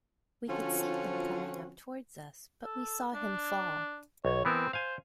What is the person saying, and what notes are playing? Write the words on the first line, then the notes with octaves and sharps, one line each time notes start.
We could see him coming up towards us, but we saw him fall.
D3 F3 C4 C#4 F4 F#4
A4
D4
B1 C#5
E3 B3 C4 A#4
C5 F5 G#5